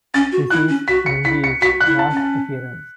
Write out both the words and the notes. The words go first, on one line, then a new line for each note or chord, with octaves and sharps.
This is Angie's last appearance.
C#4 A6
F#4
E4 F#6
C#4
F#4 B6
C#7
E4 B6
C#7
F#4 B6
F#6
E4
A5
C#4
A5